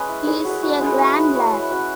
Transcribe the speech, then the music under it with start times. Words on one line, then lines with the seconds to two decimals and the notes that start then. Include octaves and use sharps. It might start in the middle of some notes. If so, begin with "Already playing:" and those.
He’s a grand lad!
Already playing: G#3 C#4 G#4 B4 C#5
0.09 E4
0.27 E4 G#4
0.45 G#3 F#4
0.63 E4 F#4
0.81 G#3
0.87 B4
0.99 E4 C#5
1.17 E4
1.35 E4 C#5
1.44 E5
1.53 E4 C#5
1.62 B4
1.71 C#4 F#4